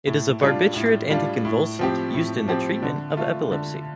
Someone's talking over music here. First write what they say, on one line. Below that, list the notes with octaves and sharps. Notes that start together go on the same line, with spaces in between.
It is a barbiturate anticonvulsant, used in the treatment of epilepsy.
A2
G3 D4 F4
A2
G3 D4 F4
A2
F3 C4 G4
A2
F3 C4 G4
D3
A3 F4
D3